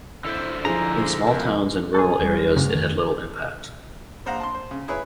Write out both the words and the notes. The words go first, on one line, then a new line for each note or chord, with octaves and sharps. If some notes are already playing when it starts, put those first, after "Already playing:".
In small towns and rural areas it had little impact.
D3 E4 A4 C5
F3 E4 G#4 D#5 A#5
F2 G#2 A#4 E5
G#4 A4
E1 G3
F#2
D2 G2 C#3 F#3
F2 D#3 A3
A#1 C5 F5 F#5 A#5
A5 C6
C5
C#3
E4 G#4 B4 C#5